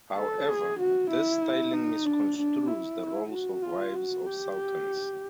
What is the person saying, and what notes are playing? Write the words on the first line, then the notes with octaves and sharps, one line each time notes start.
However, this styling misconstrues the roles of wives of sultans.
A4
G#4
F#4
E4
D#4
D4
D4
E4
F#4
F4
F#4
G4